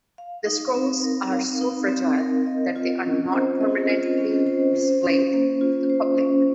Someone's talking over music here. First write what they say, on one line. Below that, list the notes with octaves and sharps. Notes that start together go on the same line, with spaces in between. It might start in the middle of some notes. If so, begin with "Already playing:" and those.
The scrolls are so fragile that they are not permanently displayed to the public.
F5
D#4
C4
A#4
F5
D#4
C4
A#4
D#5
F4
C#4
C5
D#5
F4
C#4
C5
C5
C#4
A#3
F4
C5
C#4